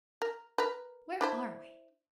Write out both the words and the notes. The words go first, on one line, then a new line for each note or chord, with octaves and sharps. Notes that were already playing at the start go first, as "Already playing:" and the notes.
Where are we?
A#4
A#4 B4
D4 E4 C5